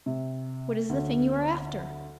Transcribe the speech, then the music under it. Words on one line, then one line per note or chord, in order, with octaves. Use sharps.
What is the thing you are after?
C3
D2